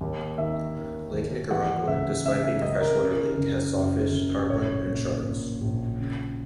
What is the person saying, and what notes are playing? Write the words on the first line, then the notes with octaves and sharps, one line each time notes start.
Lake Nicaragua, despite being a freshwater lake, has sawfish, tarpon, and sharks.
D#2
D#3 E5
D#3
D#2
E3 F#5
C#2 E5
C#3 E5
E5
C#2 D#5
A#4
C#3
F#1
F#2
F#1
A#1 C#5
A#2
A#2
A#1
C#3